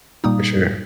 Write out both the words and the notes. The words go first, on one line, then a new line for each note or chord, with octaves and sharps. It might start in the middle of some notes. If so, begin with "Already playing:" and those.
For sure.
A#2 G3 A#3 D#4 D#6